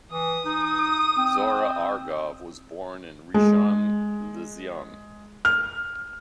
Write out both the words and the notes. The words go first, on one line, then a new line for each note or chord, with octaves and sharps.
Zohar Argov was born in Rishon LeZion.
E3 D#6
D#4
C4
G#3
F6